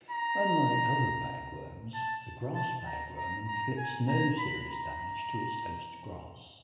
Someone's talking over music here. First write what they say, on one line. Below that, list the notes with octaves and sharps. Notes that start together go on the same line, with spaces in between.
Unlike other bagworms, the grass bagworm inflicts no serious damage to its host grass.
A#5
A5
A5
A#5
A#5
A#5
G#5
A#5
B5
A#5